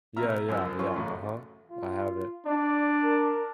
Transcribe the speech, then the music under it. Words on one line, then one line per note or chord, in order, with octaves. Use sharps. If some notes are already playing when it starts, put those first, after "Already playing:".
Yeah, yeah, yeah, uh-huh. I have it
B2 E5 A#5 F6
C#2 F#2 F3 E6
F#2 C#4 F4 C#6
A1 C#3 A3 F#4
F4
D4 D5
A#4